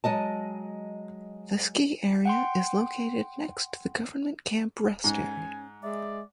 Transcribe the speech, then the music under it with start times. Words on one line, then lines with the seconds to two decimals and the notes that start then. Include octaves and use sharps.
The ski area is located next to the Government Camp Rest Area.
0.04 F#3 G#3 D#5 A5
2.25 F#5 G5 C6
5.04 G#2 C#4 G#5
5.83 G#3 D5 E5